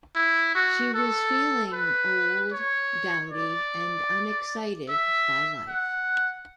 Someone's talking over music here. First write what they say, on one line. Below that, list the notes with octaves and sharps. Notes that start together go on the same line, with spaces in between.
She was feeling old, dowdy and unexcited by life.
E4
F#4
A4
B4
C#5
D5
E5
F#5